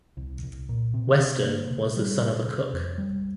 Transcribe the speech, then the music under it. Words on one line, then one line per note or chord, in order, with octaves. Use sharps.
Weston was the son of a cook.
C2
C2
A#2
C3
C3
A#3
C3
G3
C3
C3
F2
G3